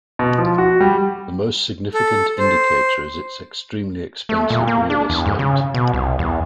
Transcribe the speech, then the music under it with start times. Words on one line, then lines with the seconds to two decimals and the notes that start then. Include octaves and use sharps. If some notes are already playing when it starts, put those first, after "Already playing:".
The most significant indicator is its extremely expensive real estate.
0.19 B2
0.38 F3
0.58 F#4
0.80 G3
1.94 A4
2.38 C5
4.29 A3
4.50 A#2
4.67 A#3
4.90 D4
5.10 E2
5.26 G#2
5.39 C#3
5.74 B2
5.93 C2
6.19 E2